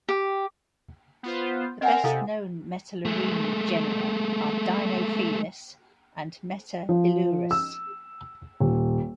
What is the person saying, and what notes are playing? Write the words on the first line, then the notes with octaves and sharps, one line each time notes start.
The best known Metalurini genera are "Dinofelis" and "Metailurus".
G4
B3 F4 C5
C4 A#4 D#5 F#5 G#5
C3 E4 A4 F5
G#3 A3
F3
E6
D#1